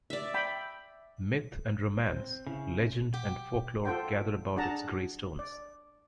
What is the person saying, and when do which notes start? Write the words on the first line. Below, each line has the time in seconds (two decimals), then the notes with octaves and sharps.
Myth and romance, legend and folklore gather about its grey stones.
0.10 D5 E5
0.34 G5 B5
2.06 C4 C5 G6
2.47 C#3 E4
3.14 G4
3.85 F4 A4 C5 F#5 G5
4.56 D4 G#4 F#5 A5 A#5
5.39 D5